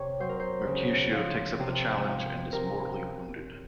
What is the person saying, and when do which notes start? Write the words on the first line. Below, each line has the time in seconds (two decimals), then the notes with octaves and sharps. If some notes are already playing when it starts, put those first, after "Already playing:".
Mercutio takes up the challenge and is mortally wounded.
Already playing: C3 C#5
0.20 F#3 C5
0.29 A#4
0.40 C5
0.66 C#3
1.12 F3
1.59 C3
2.06 F3
2.53 C3 A#4